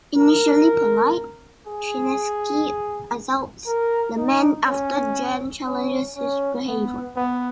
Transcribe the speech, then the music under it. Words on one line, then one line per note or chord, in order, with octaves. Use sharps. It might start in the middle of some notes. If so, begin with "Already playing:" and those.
Initially polite, Chinaski assaults the man after Jan challenges his behavior.
A#4
G#4
A#4
D#4
C#4
C#4
C#4
B3
B3